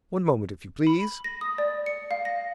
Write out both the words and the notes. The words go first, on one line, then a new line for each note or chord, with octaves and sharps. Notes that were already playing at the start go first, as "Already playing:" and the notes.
One moment, if you please!'
B5
A#6
D#6
D5
C#7
F5
A#6